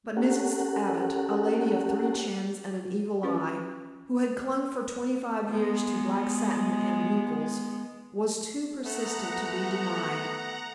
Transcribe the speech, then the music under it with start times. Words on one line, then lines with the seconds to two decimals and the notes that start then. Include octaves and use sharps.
But Mrs. Abbott, a lady of three chins and an eagle eye, who had clung for twenty-five years to black satin and bugles, was too persistent to be denied.
0.17 C#4 G4 A4 A#4 F#5
3.23 C#4 F4 B4
5.47 G#3 B3
8.84 A3 B3 F#5 A#5